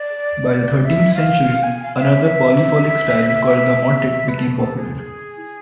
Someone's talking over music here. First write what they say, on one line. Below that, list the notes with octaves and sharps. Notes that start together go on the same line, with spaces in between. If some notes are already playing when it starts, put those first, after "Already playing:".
By the thirteenth century, another polyphonic style called the motet became popular.
Already playing: D5
E5
F5
F5
G#5
F5
F5
E5
B4
A4
A4
G#4
G#4